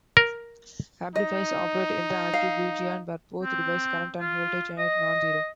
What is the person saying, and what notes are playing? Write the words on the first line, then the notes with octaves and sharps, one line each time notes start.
Amplifiers operate in the active region, where both device current and voltage are non-zero.
A#4
D#4 D#5
F5
C4
F4
D#5